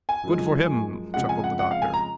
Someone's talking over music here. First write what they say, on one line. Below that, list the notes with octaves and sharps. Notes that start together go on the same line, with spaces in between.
"Good for him," chuckled the Doctor.
G#5
F#2 F3 G#3
F2 C#3 G#3 F#5
G#5
F#5
F#5
F5
G#5
A#5